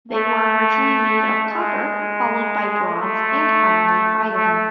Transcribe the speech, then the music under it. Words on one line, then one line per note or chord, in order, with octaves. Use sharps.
They were originally made of copper, followed by bronze and finally iron.
A3
G#3
A3
A3